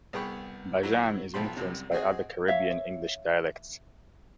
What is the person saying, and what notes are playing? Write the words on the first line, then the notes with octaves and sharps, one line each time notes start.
Bajan is influenced by other Caribbean English dialects.
C2 B3 G#4 G5 B5 C#6
F#3 E4
B1 B2 F3 G5 B5 C6
C2 F#2 C3
C4 F#4 G#4 D#5
C#5 E5 F5